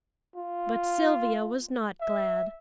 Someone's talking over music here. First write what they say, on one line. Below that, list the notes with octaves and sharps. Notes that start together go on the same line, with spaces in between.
But Sylvia was not glad.
F4
E5